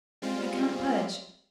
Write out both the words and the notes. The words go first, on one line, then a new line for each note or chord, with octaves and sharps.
"I can't budge."
G3 G#3 C4 F4